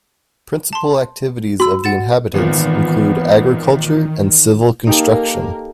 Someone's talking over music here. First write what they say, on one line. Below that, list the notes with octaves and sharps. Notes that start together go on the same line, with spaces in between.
Principal activities of the inhabitants include agriculture and civil construction.
A5 C6
F#4 B5 E6
F#5 A6 E7
G#1 A#2 D#3 E3 B3
A#3 D#4 G4 A4 A#4